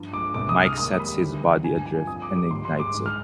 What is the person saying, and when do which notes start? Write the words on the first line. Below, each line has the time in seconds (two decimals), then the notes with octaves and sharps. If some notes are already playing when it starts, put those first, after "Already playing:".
Mike sets his body adrift and ignites it.
Already playing: G2 F3
0.13 G#3 D6
0.34 C2 D6
0.49 D#6
0.56 G#3
0.64 F6
0.78 D#2 D#6
0.99 G3 B5
1.21 D2
1.43 G3
1.64 G2 G#5
1.86 F3 G#5
2.07 F2 D#6
2.22 D6
2.29 G3
2.36 D6
2.51 G#2 C6
2.65 C6
2.72 G#3
2.79 D6
2.94 G#2
3.06 F6